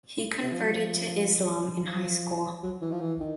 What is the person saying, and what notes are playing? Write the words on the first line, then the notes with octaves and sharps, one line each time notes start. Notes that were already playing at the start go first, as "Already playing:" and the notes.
He converted to Islam in high school.
C3
F3
F#3
F3
F3
F#3
E3
F3
E3
D#3